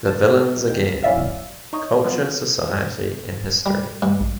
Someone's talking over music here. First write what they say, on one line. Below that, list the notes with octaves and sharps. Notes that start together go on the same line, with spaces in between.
The villains again: culture, society, and history.
A5
E2 D#3 G5
F#3 C#4 E4 D5 E5 F5
D#4 C#5 D#5
F3 F#3 G#3 B3 C4 F#4
G3
G2 G#3
A#1